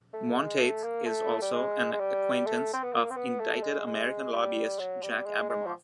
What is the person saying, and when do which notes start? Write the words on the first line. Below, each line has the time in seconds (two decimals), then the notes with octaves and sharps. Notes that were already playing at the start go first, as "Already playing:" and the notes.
Monteith is also an acquaintance of indicted American lobbyist Jack Abramoff.
0.13 A3
0.37 G#3
0.60 A3
0.83 A#3
1.07 A3
1.42 G3
1.53 G#3
1.93 G#3
2.00 G3
2.46 A3
2.74 C4
2.83 B3
2.93 A#3
3.10 C4
3.17 B3
3.39 A3
3.63 G#3
3.86 G#3
4.33 G3
4.79 F#3
5.03 G3
5.26 G#3
5.50 G#3
5.66 F3